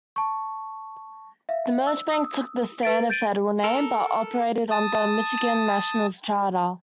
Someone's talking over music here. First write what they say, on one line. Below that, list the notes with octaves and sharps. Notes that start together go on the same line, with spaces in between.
The merged bank took the Standard Federal name, but operated under Michigan National's charter.
A5 C#6
E5 F5
E6
D#6 E6
B4 A6 D7
G6 A6 D7 D#7
A4 A#4
A5 D#6